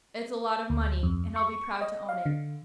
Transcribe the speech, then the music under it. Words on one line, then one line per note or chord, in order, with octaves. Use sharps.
"It's a lot of money, and I'll be proud to own it."
D2
F2
C#6
D#5
F5
D3